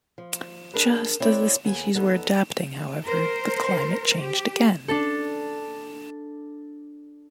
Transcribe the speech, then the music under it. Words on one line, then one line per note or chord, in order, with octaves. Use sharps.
Just as the species were adapting, however, the climate changed again.
F3
D4 G#4 A#4 B4
C4 E4 C#5 D5
D#2 B3 G#4 G#5
E2 B3 D#4 A4
A#4 C5
G4
D4 A4